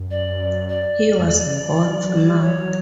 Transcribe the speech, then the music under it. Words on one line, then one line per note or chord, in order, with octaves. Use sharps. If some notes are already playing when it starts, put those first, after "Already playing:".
He was God's "mouth".
Already playing: F#2
D5
D5
F#2
E2
C#3
E3
F#3
F#3
G3
F#3 C#5